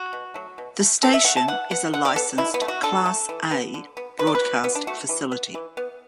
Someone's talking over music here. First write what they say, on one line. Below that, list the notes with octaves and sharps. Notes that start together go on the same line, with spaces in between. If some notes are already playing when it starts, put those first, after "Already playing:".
The station is a licensed "class A" broadcast facility.
Already playing: F#4
B2
F#3 A3
B2
A3
E3 A4
E5
A3 F#5
A5
E3 F#5
B3 F#5
D3 F#5
D5
B3 A4
B2 E4
B3
A3
F#4
D3 A4
A3
E3
B3
D3
B3
B2 B4
D5
B4
F#3 B3
E3 B3
D4
A3 F#4
E3
B3
E3
B3